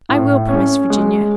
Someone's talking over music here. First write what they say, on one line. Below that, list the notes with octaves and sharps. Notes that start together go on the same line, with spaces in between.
"I will," promised Virginia.
A2
C#4
G#3